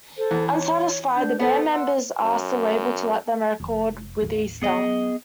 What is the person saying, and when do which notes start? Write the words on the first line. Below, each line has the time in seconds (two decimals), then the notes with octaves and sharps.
Unsatisfied, the band members asked the label to let them record with Easter.
0.16 A4 C5
0.31 E2
0.54 C#5
1.14 D4 G6
1.39 B3 A4 C5
1.71 F#5 C6 E6
2.21 F#2
3.60 F1 F2
4.22 A1 D#2
4.62 F#3 B3 C#4 G#4 D#5